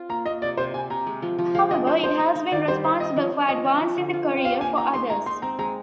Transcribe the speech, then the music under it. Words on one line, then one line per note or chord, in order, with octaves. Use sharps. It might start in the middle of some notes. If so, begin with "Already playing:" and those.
However, it has been responsible for advancing the career for others.
Already playing: C4 F4
A#3 A#5
A#3 D#5
C3 D5
C3 C5
C3 G#5
C3 A#5
G#3
F3
F3
G#3 F5
D4 D#5
G#3 C5
D#4 C5
D#4
D#4
D#3 D5
G3 C5
D#3 C5
C4 D#5
F3
F3
C4 D#5
F3
F3
D3
F4
C4
G5
G4 F5
A#3 G#5
D#4 A#5
G#3 C6
G#3 A#5
D#4 C6
C4 A#5
G#3 A#5